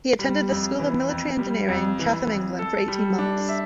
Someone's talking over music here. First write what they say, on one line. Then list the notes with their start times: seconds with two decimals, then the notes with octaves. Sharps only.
He attended the School of Military Engineering, Chatham, England, for eighteen months.
0.19 G3
0.49 F2
0.80 E3
1.09 F2
1.39 G3
1.68 F2
1.99 E3
2.28 F2
2.59 A4
2.88 G3
3.19 D4
3.49 E5